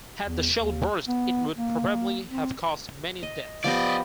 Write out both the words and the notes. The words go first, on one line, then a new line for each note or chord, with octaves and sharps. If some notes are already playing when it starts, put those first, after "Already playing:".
Had the shell burst it would probably have caused many deaths.
E2
D#2
B3
A#3
C4
D#5
F3 B3 G4 D5 D#5